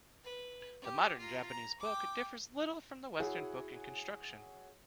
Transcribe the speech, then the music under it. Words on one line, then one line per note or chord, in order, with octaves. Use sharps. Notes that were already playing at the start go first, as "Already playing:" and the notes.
The modern Japanese book differs little from the western book in construction.
B4
G4
F4 A#5
A#5
G5 D6
E4 F#4 G#4 C#5 F#5 G#5